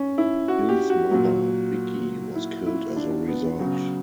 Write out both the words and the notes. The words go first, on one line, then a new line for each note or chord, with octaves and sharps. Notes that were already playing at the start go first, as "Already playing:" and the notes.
Hill's mother, Vicki, was killed as a result.
Already playing: C#4
E4
F#4
G4
F#4
A#2 F#3
E4
E4
D4
B3
C#3 F#3